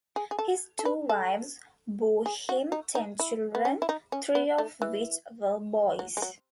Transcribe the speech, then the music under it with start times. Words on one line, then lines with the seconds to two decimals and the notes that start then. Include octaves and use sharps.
His two wives bore him ten children, three of which were boys.
0.16 G#4
0.31 G#4
0.39 A4
0.79 A4
0.85 B4
1.09 A4
2.26 G#4
2.49 F#4
2.72 D#4
2.95 D#4
3.20 E4
3.55 B3
3.65 C#4
3.82 E4
3.89 D#4
4.12 C#4
4.35 B3
4.58 A3
4.82 E3
5.99 F#3
6.17 G#3
6.22 F#3